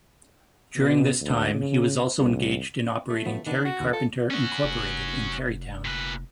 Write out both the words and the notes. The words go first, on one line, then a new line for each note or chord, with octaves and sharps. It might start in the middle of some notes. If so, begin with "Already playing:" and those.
During this time, he was also engaged in operating Terry Carpenter, Incorporated in Terrytown.
B2
D2
C#3
C2
A3
F3 F#3 B3
D#3 B3 D4
F#4
D#2 D3
F4 A4
C#4 F#4
F1
A#2 B4